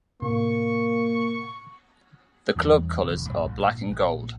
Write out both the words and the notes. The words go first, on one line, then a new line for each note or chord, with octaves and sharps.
The club colors are black and gold.
A2 C3 A#3 C#6
E2 E3 G3 D4
E1 A1 D3
A#1 G2 C3
A#1 G#2
A#1